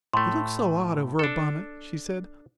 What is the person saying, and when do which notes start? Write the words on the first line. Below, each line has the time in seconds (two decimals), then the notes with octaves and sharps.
"It looks so odd over a bonnet," she said.
0.13 A2 A3 C6
1.19 D4 A4